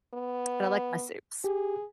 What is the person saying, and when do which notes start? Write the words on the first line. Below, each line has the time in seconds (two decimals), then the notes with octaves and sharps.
but I like my soups.
0.14 B3
1.44 G4 G#4